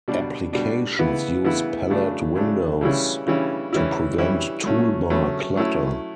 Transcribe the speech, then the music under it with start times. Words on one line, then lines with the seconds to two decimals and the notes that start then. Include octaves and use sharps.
Applications use palette windows to prevent toolbar clutter.
0.08 B2 G3 D4
0.53 B2 G3 D4
0.99 C#3 E3 B3 E4
1.44 C#3 E3 B3 E4
1.90 C#3 F#3 A3 D4
2.35 C#3 F#3 A3 D4
2.81 C#3 E3 G3 C#4 E4
3.27 C#3 E3 G3 C#4 E4
3.73 E3 G3 C#4 E4
4.18 E3 G3 C#4 E4
4.64 F#3 A3 C#4
5.10 F#3 A3 C#4
5.56 F#3 A3 C#4 E4